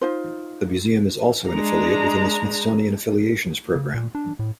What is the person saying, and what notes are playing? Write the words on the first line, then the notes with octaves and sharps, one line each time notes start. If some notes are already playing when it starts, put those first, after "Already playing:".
The museum is also an affiliate within the Smithsonian Affiliations program.
D#4 F4 C5
G#3 D4 A#5
C#3
A#2
D4
A2